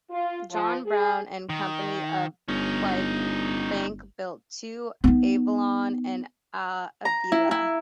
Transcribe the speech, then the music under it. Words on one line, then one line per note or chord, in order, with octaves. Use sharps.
John Brown and Company of Clydebank built two: "Avelona" and "Avila".
F4
F3
G#4
D#3
G1 C#4 D#4
B3 D#4
A#5
E4
E4